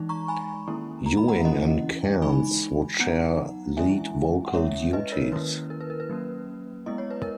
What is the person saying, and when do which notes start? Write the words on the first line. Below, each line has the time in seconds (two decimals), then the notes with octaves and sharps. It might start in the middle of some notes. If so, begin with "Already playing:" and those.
Ewing and Cairns would share lead vocal duties.
Already playing: E3 G#3 D#4
0.09 A#5 C#6
0.28 G#5 B5
0.68 D#3 A#3 C#4 E4
1.06 A#5
1.17 B5
1.28 F#5 A#5
1.45 E3 A#3 C#4 E4 D#5 F#5
2.22 E3 G#3 D#4 G#5 B5
2.99 F#3 B3 D#4 F#5 A#5
3.77 E3 G#3 C#4 E4 E5 G#5
4.46 F#5
4.54 G#3 C#4 E4 C#5 E5
4.93 B4 D#5
5.12 A#4 C#5
5.32 D#3 A#3 C#4 E4 B4
5.70 A#4
5.81 B4
5.90 A#4
6.00 B4
6.09 F#3 A#3 C#4
6.86 G#3 B3 E4 D#5
6.98 C#5
7.10 B4
7.22 A#4